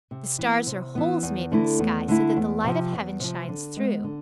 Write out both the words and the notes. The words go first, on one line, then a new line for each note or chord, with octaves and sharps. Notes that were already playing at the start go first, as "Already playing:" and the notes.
The stars are holes made in the sky, so that the light of heaven shines through.
C3
E3 B3
C3
E3 B3
E2
D3 A3 E4
E2
D3 A3 E4
E2
C3 F3
E2
C3 F3
D3
G#3 B3
D3